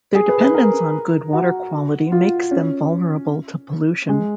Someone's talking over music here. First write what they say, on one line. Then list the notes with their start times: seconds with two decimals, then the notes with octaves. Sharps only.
Their dependence on good water quality makes them vulnerable to pollution.
0.15 G#4
0.29 B4
0.41 B4
0.54 A#4
1.33 F#4
2.12 F4
2.51 C#4
4.09 G#3